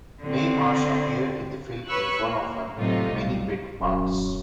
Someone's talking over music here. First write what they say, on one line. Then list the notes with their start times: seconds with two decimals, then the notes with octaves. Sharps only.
Mae Marsh appeared in the film in one of her many bit parts.
0.22 D3 C4
1.87 B4 C#5 C#6 E6 F#6
2.23 A#3
2.76 A2 C3 F#3 A3 D#4 F4
3.11 C2
3.81 D#1 F#2